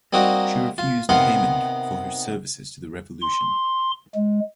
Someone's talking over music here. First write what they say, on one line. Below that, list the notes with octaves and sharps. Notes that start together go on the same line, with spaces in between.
She refused payment for her services to the revolution.
G3 A#3 C4 D#4 F#4
F4
C3 D#3 B3 F5 F#5 C6
C6
G#3